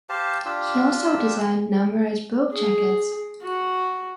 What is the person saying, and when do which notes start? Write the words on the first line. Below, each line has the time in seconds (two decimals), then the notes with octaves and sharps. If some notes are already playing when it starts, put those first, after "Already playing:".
He also designed numerous book jackets.
0.09 G4 C5 F5 A5
0.46 D4 F4 G4 E6
2.53 G#4
3.42 F#4